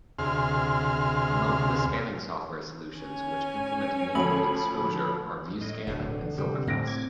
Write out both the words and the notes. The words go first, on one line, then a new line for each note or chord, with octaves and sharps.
Among the scanning software solutions which implement multiple exposure are VueScan and SilverFast.
D2 C3 G#4 C6 F6
C#4 C#5 G#5
D2 F3 B5
A2 D#5
D1 B2 D3
C3 G3
A2 C4 A#6 D7
D6 G#6